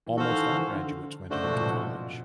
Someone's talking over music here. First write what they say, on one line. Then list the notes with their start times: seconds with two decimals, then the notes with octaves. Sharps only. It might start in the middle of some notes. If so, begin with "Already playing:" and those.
Almost all graduates went on to college.
0.06 E3
0.17 D#3 F#4 A4 C5 F5
0.31 E3
0.45 E3
0.59 D#3
0.73 D3
0.88 D3
1.30 C#3 A3 D4 F#4 A4 C5
1.44 B2
1.54 A#2
1.63 B2